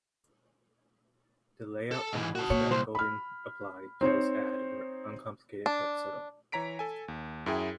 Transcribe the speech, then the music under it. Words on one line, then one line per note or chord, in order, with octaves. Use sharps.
The layout principles that Golden applied to this ad were uncomplicated but subtle.
A4 A5
G#2 E3
F#4 A5
A#2 C#5
C2 C5
B5 F6
C4 D#4 C5 C#5
D4
E3 C#5 A#5 B6 D7
A4 G#5
D#2
F#2 E4 G#4 G5